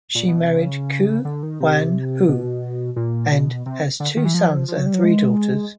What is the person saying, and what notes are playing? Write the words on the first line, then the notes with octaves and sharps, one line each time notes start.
He married Kuo Wan-hua and has two sons and three daughters.
A#2
B2
C3
C#3
D3
D#3
C3
B2
A#2
B2
C3
D3
D#3
E3
F3
F3
F#3
G3
F#3
G#3